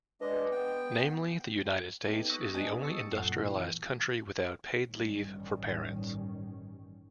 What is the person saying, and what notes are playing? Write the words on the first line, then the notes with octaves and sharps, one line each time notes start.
Namely, the United States is the only industrialized country without paid leave for parents.
G#3 D4 B4 D#5
B3 G5
B3 D#4 G4 A4
C#6 D#6 E6 F#6 A#6 B6
B3 D4 G4 D#5 G#5 A5
C#6 D#6 E6 A6 C#7
F#2 A#2 A4 F#5 C7
E3
A1 G2 D#3 G3 C#4